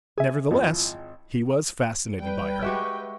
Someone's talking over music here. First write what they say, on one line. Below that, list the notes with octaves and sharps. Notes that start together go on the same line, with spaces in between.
Nevertheless, he was fascinated by her.
G#4 E5 G#5
G#1 F3 E4
G3 B4 G5
G#3 F#4 G4 E5 C#6